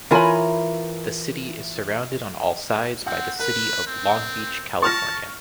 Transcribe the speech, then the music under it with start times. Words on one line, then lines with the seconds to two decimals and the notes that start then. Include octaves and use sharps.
The city is surrounded on all sides by the city of Long Beach, California.
0.11 E3 F4 A#4 C#5 G#5 B5
3.06 C4 F#5
3.39 A#4 B4
3.87 C4
4.82 A5 C#6 F6 A#6